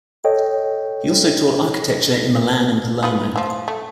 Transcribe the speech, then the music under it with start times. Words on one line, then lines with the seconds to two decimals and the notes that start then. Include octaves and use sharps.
He also taught architecture in Milan and Palermo.
0.25 A4 C#5 D#5 G5
3.03 D#4 F4 B4
3.36 E3 F3
3.68 A3